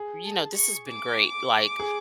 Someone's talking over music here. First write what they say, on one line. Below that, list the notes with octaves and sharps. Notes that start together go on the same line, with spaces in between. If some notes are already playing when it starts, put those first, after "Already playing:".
you know, this has been great, like,
Already playing: G#4
A5
C#6
D6
G#4